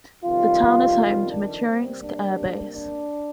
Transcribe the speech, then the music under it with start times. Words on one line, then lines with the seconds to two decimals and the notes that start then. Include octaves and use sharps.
The town is home to Michurinsk air base.
0.25 F2 C3 D#3 G3 F4
1.32 D4
1.67 C3 G3 A#3 C4
2.03 D4
2.74 D4